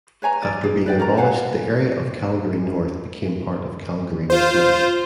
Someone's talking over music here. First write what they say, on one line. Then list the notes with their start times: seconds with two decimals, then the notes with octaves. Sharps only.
After being abolished the area of Calgary North became part of Calgary McKnight.
0.22 B4 C#5 G#5 A#5
0.43 D5
0.64 G#4
0.86 B4 D5 G5
0.98 F#4 A#4 D5 A#5
1.17 B4 F5 F#5 G#5
4.30 F4 C5